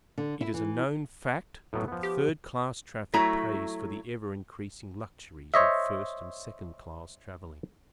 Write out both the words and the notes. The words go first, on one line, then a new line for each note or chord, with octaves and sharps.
It is a known fact that the third class traffic pays for the ever-increasing luxuries of first and second class travelling.
D3
E4
E3
A2 F#3 B3
F3 B3
G4
F#3 A3 E4 A#5
C5 C#5 D#5 E5